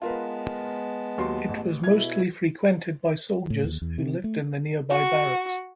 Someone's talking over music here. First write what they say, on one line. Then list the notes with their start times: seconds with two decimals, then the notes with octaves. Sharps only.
It was mostly frequented by soldiers who lived in the nearby barracks.
0.02 G#3 B3 F4 A#4 B4 A5
1.18 D#2 F#3 C6
1.49 A1
1.84 B2 E4 G#6
3.50 A2
3.64 D#2
3.82 E2
3.98 C3
4.24 A3
4.90 F#4